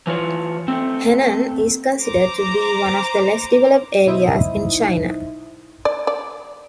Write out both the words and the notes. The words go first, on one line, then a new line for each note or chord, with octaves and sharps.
Henan is considered to be one of the less developed areas in China.
E3 F4 C#5
A3 C4
C5 A#5 D6
B1 D#4 E4 C5 E5 D#6
D5
D5